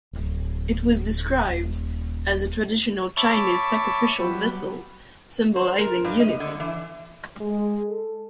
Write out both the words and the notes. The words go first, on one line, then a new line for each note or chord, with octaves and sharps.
It was described as a traditional Chinese sacrificial vessel symbolizing unity.
D1
D#1
C#5 E5 A5 B5 C#6 D6
F#3 G3 B3
C5
A#4
G2
D#5
D3
E3
G#3
A4